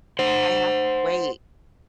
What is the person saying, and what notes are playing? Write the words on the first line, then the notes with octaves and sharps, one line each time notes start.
"I have to wait
C5 F#5